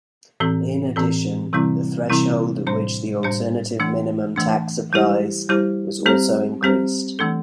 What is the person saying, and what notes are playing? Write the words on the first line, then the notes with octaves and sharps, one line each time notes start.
In addition, the threshold at which the alternative minimum tax applies was also increased.
A2 E3 C4 A4
A2 E3 C4 A4
C3 E3 G3 C4 E4
C3 E3 G3 C4 E4
A2 G3 D4 C5
A2 G3 D4 C5
E3 A3 D4
E3 A3 D4
G3 E4 G4 C5
G3 E4 G4 C5
G3 C4 G4 C5
G3 C4 G4 C5
E3 A3 D4 A4